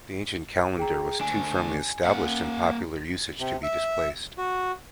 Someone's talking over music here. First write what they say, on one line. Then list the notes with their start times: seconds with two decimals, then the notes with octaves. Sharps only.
The ancient calendar was too firmly established in popular usage to be displaced.
0.77 G#4 G5 A#5
1.21 D2 D4 G#5
2.04 A#3 F#5
3.40 C3
3.63 E5
4.38 F#4